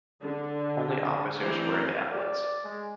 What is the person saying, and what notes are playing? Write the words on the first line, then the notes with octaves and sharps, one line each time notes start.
Only officers wear the epaulettes.
D3
E3 A3 C4 C5 D5 A#5
D5
G#3